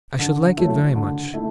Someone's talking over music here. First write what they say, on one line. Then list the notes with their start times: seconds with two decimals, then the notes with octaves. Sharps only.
'I should like it very much.
0.19 D3
0.57 F#3 A3 E4
0.96 D3
1.33 A3 E4